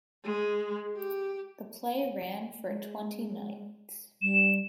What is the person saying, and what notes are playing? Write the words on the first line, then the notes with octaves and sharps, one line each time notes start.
The play ran for twenty nights.
G#3
G4
G#3
G3 E7